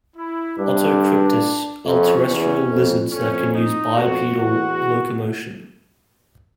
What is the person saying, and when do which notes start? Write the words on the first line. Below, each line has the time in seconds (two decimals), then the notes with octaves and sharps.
"Otocryptis" are terrestrial lizards that can use bipedal locomotion.
0.16 E4
0.58 G2 D4
1.85 F2 C#4
2.27 E2
2.69 F2
3.11 F2 C#4
3.54 D#4
3.96 F2 F#4
4.38 E2 F#4